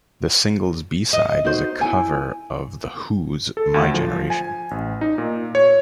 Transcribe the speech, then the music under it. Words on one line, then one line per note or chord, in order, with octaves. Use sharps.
The single's B-side is a cover of The Who's "My Generation".
D#5
D#4 F#4 C5
E4 G#5
A4
D2
F3
G#5
A1
D#4
A#2
C#5